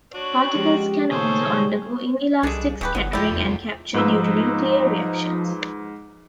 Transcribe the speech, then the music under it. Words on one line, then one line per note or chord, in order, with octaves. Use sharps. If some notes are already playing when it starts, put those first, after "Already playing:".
Particles can also undergo inelastic scattering and capture due to nuclear reactions.
D4 F#4 C#5
F3 G#3 C#4 G4
C#2 A#2 D#3 G#4 A4 C5 C#5
G3
C2 G3 G#3 D4 G#4 A4
D1 C#3 G4 B4
G1 D3 F#3 B3 E4
F2 A3 E4 F4 G4 D5
E2
G#2 F3 D#4 B4 E6